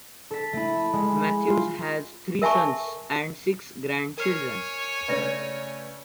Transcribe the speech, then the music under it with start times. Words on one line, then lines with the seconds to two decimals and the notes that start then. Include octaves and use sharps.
Matthews has three sons and six grandchildren.
0.31 A4 B6
0.53 A3 E4
0.93 G#3
1.48 F4
2.42 A#4 E5 G#5 A5 C#6
4.18 A#4 C#5 G#5 F6 C7
5.08 C#3 A3 C#4 B4 D5 A#6